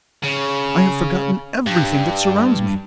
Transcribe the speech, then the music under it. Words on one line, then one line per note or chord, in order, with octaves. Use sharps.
I have forgotten everything that surrounds me.
C#3
G2